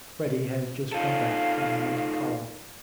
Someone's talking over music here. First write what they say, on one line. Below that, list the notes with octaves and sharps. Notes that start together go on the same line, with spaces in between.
Freddy has just come back from Monte Carlo.
D#4 F4 A4 F5